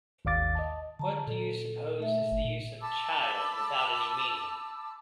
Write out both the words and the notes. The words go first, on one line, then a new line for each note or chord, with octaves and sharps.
What do you suppose is the use of child without any meaning?
G#1 D#2 D5 F5 D6 A6
D#5 A5
D3 A5 A#5
A#2 A4
A3 E5
G1
A#2
A5 B5 D6 E6